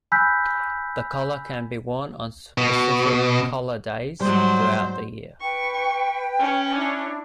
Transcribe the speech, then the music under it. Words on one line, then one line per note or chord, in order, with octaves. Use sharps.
The collar can be worn on specific 'Collar Days' throughout the year.
G#5 B5 E6 F#6 G6 B6
B2
G#2 F#3 G3 C5
B4 G5 C#6
C#4 C#5
D4 E4